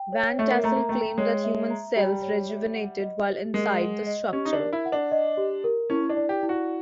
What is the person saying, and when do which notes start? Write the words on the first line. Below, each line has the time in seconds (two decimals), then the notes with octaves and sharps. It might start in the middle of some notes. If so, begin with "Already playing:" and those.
Van Tassel claimed that human cells "rejuvenated" while inside the structure.
Already playing: G5
0.13 C#5
0.38 A3 E5
0.51 A#3
0.64 A3 A#5
0.76 A#3
0.89 A3 G5
1.18 G#3 C#5
1.43 E5
1.70 A#5
1.96 G3 G5
2.22 C#5
2.49 E5
2.75 F#5
3.02 D#5
3.28 G4
3.54 G#3 A#4
3.80 F#5
4.06 D#5
4.32 C#4 G4
4.45 D#4
4.53 D4
4.60 A#4
4.73 E4
4.85 F#5
4.92 D4
5.11 D#5
5.37 G4
5.64 A#4
5.90 C#4 E4
6.09 D4
6.17 D5
6.29 G4
6.43 E4
6.49 F#4